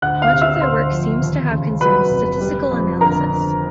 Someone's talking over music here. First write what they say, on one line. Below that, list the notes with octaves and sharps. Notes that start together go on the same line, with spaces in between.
Much of their work seems to have concerned statistical analysis.
D2 F#5 F#6
F5 F6
C3
E5 E6
D2 C5 C6
F3
D#2
C#3
F#3 B4 B5
F1
G3
F2
D3 A#4 A#5
D3